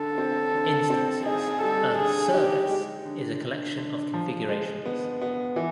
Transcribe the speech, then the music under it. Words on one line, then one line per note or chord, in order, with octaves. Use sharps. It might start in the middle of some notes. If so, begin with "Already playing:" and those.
Instances: a "service" is a collection of configurations.
Already playing: D3 A4
C4
D3
C4
D#4 G#4
G3 A4
D3 G#4
D#4 G4
G#3
D3
D3
D3
F3
G#3
B3
B3
E3